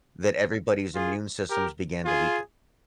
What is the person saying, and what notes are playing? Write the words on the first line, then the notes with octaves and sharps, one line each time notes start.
that everybody's immune systems began to weaken.
F4 G#4
G4 A#4
F4 G#4